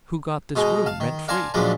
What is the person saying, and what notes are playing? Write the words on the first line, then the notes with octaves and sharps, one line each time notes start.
Who got this room rent free?
B2 G#3 D#4
F5 A5
D#3
A#4 D5 F5 G#5 A5 C6
F#2 A#2 F3 G#3 A#3 D4